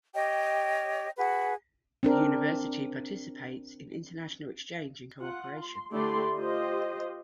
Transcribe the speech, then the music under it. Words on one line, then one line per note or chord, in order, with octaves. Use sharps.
The university participates in international exchange and cooperation.
G4 C#5 D#5 G5
F#4 G#4 B4
C4 D4 A#4
F4 F#5
C6
D3 A3 E4 G4 D5 C6
F4 G4 C5 D#5